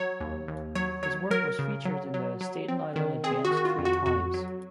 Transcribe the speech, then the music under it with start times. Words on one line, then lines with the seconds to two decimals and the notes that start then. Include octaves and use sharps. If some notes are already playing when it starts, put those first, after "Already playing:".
His work was featured in the "Staten Island Advance" three times.
Already playing: F#3 C#5
0.20 D#2
0.48 D#2
0.75 F#3 C#5
1.03 F#3 C#5
1.30 F#3 A#4
1.59 C#3
1.85 F#3
2.14 F#3
2.41 F#3
2.68 C4
2.96 D#3
3.24 C4 G#4
3.45 F#4
3.51 D#3
3.57 F#4
3.65 F4
3.78 F2
3.85 F#4
4.06 F2 F#4
4.34 F#3